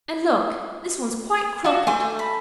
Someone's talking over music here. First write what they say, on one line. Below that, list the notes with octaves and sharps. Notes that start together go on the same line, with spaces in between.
And look, this one is quite crooked!
F4 F#4 E5
A3 G#5 C6 D6
B5